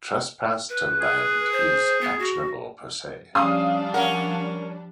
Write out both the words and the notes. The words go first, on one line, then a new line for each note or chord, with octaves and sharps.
Trespass to land is "actionable per se".
B4
G#4
C5
B3
F#4
F3 G3 C#4 D4 F5 D#6
C#4 A#4 F#5